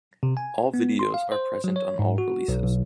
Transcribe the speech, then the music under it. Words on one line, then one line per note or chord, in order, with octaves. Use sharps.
All videos are present on all releases.
C3
G#5
B3
C6
F5
C5
F#3
C#5
G#2
F#4
B1
B1